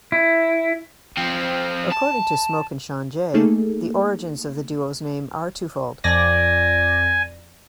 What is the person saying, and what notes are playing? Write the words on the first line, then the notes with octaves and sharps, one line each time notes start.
According to Smoke and Shawn Jay, the origins of the duo's name are twofold.
E4
F3 C4
A5
A3 A#3 D#4 G#4 A4
F2 D5 G#5 A#6